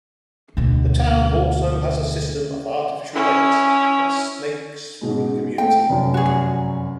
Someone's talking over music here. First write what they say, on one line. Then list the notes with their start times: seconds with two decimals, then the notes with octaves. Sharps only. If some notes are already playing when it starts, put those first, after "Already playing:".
The town also has a system of artificial lakes that snakes through the community.
0.57 D2 B2
3.14 C#4 E4
5.01 G#2 B2 G#3
5.58 A3 C4 G5
5.89 F1 F#2
6.14 F#4 G#4